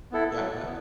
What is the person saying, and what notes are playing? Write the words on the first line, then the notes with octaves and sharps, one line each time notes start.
Yeah, go ahead.
B3 E4 A4
F#3
B3